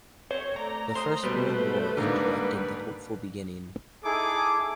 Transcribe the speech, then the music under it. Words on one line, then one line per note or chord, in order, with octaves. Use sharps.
The First World War interrupted the hopeful beginning.
C4 C5 C#5
A3 D5 A#5
C5 C6 D#6
B2 G3 B4 C5
G#2 D3 G3 A#3
D#4 E4 G#4 A4 D6